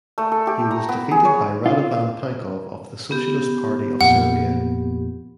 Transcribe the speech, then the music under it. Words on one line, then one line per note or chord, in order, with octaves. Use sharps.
He was defeated by Radovan Pankov of the Socialist Party of Serbia.
A3
A4
G4
A#5
B3
G#4
C#5
F4
B3 G4
F2 A#2 F#5